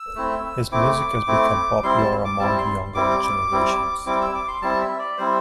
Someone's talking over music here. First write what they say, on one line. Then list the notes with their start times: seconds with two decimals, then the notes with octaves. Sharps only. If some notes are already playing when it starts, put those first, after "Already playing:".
His music has become popular among younger generations.
Already playing: E6
0.16 A3 C4 E4
0.72 A3 C4 E4 D6
1.27 A3 C4 E4
1.83 G3 C4 E4 C6
1.98 A5
2.25 D6
2.39 G3 C4 E4 A5
2.58 C6
2.94 G3 C4 E4 D6
3.51 G3 C4 E4
4.06 G3 C4 E4 D6
4.21 E6
4.35 D6
4.48 C6
4.62 G3 C4 E4 A5
4.81 E5
4.99 D5
5.18 G3 C4 E4 C5